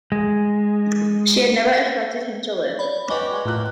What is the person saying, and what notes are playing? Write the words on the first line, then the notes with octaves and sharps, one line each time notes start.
She had never expected him to live.
G#3
C#5 D5 B5
F#4 G4 B4 D5 D#5 G#5 G7
G#3 F#4 C#5
A2 F4 G4 A#4 F#6